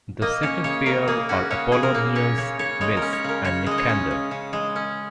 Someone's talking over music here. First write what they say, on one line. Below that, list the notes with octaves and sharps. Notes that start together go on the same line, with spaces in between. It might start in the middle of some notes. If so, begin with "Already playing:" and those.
The second pair are Apollonius Mys and Nicander.
A#3 D#5
C#4 C#5
C#3 C#5
C#3 A#4
A#3 G#4
C#4 F#4
C#3 C#5
C#3 G#4
A#4
A#3
C#4 C#5
C#3 C#5
C#3 C#5
G#3 C#5
A#4
C#4
C#5
C#3 A#4
C#3 C#5
G#3 D#5
C#5
C#4
C#3
C#3
G#3
C#4